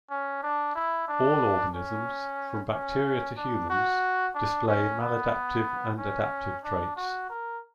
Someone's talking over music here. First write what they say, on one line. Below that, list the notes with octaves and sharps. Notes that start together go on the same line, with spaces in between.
All organisms, from bacteria to humans, display maladaptive and adaptive traits.
C#4
D4
E4
D4
C#4
C#4
D4
F#4
D4
C#4
B3
C#4
D4
F#4
A#4